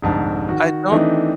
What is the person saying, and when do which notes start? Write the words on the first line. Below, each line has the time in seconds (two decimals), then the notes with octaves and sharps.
I don't
0.02 F1 C2 G#2 D3 A5
0.49 D#3 F#4
0.92 D#3 E3 A3 C4 D4 D#4